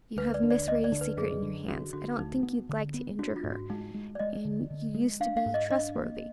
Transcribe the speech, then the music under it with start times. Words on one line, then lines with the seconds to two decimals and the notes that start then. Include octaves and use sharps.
You have Miss Radie's secret in your hands, I don't think you'd like to injure her, and you used to be trustworthy.
0.17 D2 B4
0.34 D5
0.43 D3
0.50 D5
0.67 D2 D#5
0.84 D5
0.92 D3
1.01 B4
1.17 F#2 G#4
1.42 D3
1.68 D3 F#4
1.93 D3 F#4
2.18 D2 D#4
2.43 B3
2.69 D3
2.94 B3
3.19 D4 F#4
3.36 F4
3.44 G#2
3.52 F#4
3.70 G#3 D#4
3.94 G#3
4.15 D5
4.19 G#3 D#5
4.45 D3
4.70 D3
4.94 G#3
5.20 D4 F5
5.37 F5
5.46 G#2
5.54 D#5
5.70 D4 D#5
5.95 A#3